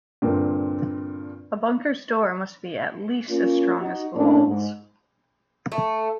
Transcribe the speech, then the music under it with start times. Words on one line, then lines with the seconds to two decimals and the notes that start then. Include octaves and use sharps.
A bunker's door must be at least as strong as the walls.
0.22 G2 A#2 D3 C4
3.29 A#3 C#4 F4
3.81 D#4 F#4
4.15 A2 A#3 C#4 D4
4.47 G#2
5.72 A3